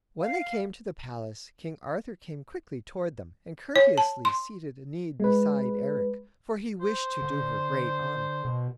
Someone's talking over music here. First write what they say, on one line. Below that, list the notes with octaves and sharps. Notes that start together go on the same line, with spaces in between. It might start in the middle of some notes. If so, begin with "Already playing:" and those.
When they came to the palace, King Arthur came quickly toward them, and courteously seated Enide beside Erec; for he wished to do her great honour.
F5
C#5
A5
C6
G#3 B4
C5
D3
B2